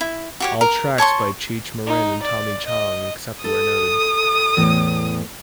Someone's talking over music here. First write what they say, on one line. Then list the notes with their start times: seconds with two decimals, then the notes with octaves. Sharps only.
All tracks by Cheech Marin and Tommy Chong, except where noted.
0.01 E4
0.40 F#4 G4 C#5
0.61 A#4
0.98 C#5 A5 C6 C#6
1.87 D#4
2.23 D5
2.66 D#5
3.44 A4 D#6
4.57 E2 A2